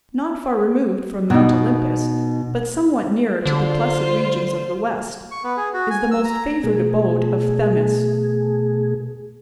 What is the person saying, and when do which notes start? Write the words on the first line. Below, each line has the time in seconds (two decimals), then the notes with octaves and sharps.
Not far removed from Mount Olympus, but somewhat nearer to the blessed regions of the West, is the most favoured abode of Themis.
1.30 B2 D#4
3.45 D3 F4 C5
5.31 C#6
5.44 B3
5.57 G#4
5.74 F#4
5.90 G#5
6.11 E6
6.25 A#5
6.63 B2 A3 G#4